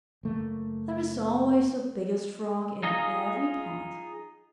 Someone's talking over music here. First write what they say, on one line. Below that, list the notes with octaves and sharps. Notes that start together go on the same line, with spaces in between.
There is always a Biggest Frog in every pond.
F#1 A3 A#3
D#4 F4 G#4 D#5 A#5